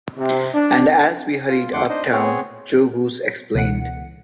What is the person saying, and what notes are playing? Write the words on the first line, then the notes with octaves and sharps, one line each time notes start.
And as we hurried up town, Joe Goose explained.
C3
D4
F4
F2 D3 A3 F#5 C6 D6
D4 D#4 C5 D#5
B3 C4 G#4 C#5
C#2 B2 E3 F#5 C#7